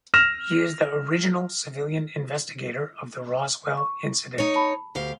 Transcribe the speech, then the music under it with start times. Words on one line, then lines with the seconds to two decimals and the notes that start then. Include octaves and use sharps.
He is the original civilian investigator of the Roswell incident.
0.14 F6 A#6 E7 F7
3.77 C#6
4.38 D#4 C#5
4.55 A5 B5
4.95 D2 G4 F5